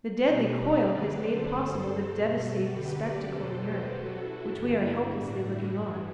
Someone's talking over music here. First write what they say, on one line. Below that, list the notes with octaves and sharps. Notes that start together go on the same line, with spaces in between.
The deadly coil has made possible the devastating spectacle in Europe, which we are helplessly looking on.
B2 G3 G4 B4
B4 D5
F#2 D3 F#3
A4 C5
G2 F#3 A4 C5
B2 G3
F#4 A4
F#2 D3 F#3 G4 B4
B4 D5
E2 B2 F#3 A4 C5
G4 B4
F#2 F#3 F#4 A4
E4
G2 D3 G3 E4
A2 G3 D4 F#4
E4
G2 E3 G3